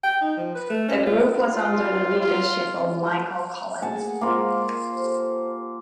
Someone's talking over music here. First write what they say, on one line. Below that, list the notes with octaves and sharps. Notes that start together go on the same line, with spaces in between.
The group was under the leadership of Michael Collins.
G5
D#4
F3
B4
A3
C#4
F4
F4
F4
A3 A#3 G#4 F#5 G#5 A5
G#3 A#3 F4 A#4 C5
G4 A4 C5